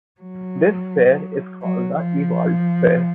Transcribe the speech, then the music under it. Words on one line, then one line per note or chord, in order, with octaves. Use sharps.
This sphere is called the Ewald sphere.
F#3
F#3
F3